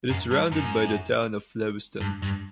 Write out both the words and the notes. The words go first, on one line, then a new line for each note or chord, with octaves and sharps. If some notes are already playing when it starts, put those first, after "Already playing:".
It is surrounded by the Town of Lewiston.
F#2
G2
F#2
G2
G2